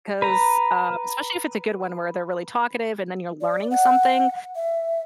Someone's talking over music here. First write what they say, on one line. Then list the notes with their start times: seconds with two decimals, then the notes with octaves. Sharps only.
'cause, uh especially if it's a good one where they're really talkative, and then you're learning something.
0.22 B4 A#5
3.41 D5
3.71 F#5
4.56 E5